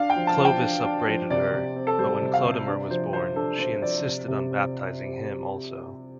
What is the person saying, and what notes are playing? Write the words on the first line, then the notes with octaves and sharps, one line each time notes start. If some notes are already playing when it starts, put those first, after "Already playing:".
Clovis upbraided her; but when Chlodomer was born, she insisted on baptising him also.
Already playing: D4 F5
G5
F3
A5
F3
G5
D4
D4
F3
C3 D5
C3
C4
A4
G3 C5
C3
F5
C3
D4 D5
F3 C5
F3 C5
D4 A4
D4 C5
F3 D5
C3
C3
C4